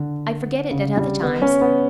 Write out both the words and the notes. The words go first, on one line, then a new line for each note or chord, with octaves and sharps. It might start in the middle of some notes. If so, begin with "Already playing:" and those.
I forget it at other times.
Already playing: D3
C#3
G3
B3
C#4
B3